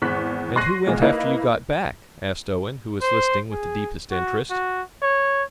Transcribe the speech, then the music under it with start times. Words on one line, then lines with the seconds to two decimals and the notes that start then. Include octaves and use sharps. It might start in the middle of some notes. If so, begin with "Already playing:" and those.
"And who went after you got back?" asked Owen, who was listening with the deepest interest.
0.02 G#1 E2 C#6 F#6 B6
0.56 C6 C#6 F#6 A#6 C7 D#7
0.86 E2 A#2 G#3
1.02 A#3 D#4 E4 B4 D#5
3.02 C5
3.51 G#4
4.11 F#4
4.50 F#4
5.02 C#5